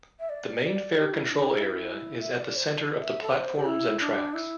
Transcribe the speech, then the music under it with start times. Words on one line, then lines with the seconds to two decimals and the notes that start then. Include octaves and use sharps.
The main fare control area is at the center of the platforms and tracks.
0.19 E5
0.29 D5
0.64 D5
0.97 G4
1.13 E4
1.31 D4
1.48 E4
2.19 E5
2.32 D5
2.56 C5
2.65 D5
2.99 E5
3.22 A4
3.32 C5
3.56 G4
3.67 E4
4.01 D4
4.34 E4